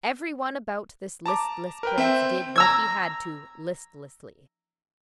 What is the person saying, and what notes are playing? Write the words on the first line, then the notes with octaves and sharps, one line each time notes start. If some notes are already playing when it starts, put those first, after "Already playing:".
Every one about this listless prince did what he had to listlessly.
A5 A#5 D6
A#4 B4 G5
C4 C5 E5 G5
A#5 E6 G#6